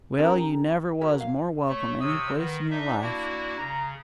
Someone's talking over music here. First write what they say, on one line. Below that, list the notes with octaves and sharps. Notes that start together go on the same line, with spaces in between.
Well, you never was more welcome any place in your life.
C#4 D#4 G4 A#4
F#4 A#4 C#5 E5
F5
A3 C#5 C#6
C3 C#5 D#6 E6
D#3 B3
D4 D#4 E5
A#3 E4 F#4
C#3 A#5